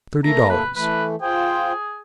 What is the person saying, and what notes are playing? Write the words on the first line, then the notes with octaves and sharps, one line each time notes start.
"Thirty dollars."
A3 A#3 A4 A#5
B4
E3 A3 B4
F4 G#4 C5 G5